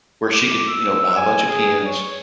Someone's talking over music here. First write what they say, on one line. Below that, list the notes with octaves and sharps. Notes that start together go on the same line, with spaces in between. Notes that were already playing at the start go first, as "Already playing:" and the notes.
where she could, you know, buy a bunch of pins.
D6
E6
G#5
G#4
C#5